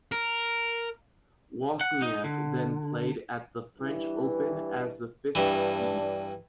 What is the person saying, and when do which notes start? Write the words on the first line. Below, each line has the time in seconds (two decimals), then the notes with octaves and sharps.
Wozniacki then played at the French Open as the fifth seed.
0.12 A#4
1.81 F#5
2.02 D#4
2.24 D3
3.77 G2 E3
5.35 G2 E3 D4